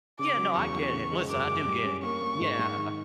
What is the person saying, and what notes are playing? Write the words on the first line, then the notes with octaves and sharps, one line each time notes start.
Yeah, no, I get it. Listen, I do get it. Yeah.
C#3 D6
F#3
E2 C#6
E2
C#3
G#3
F#2 D6
G#3
G3
C#4
A#3 C#6
A#3
G#2
G#2
D#3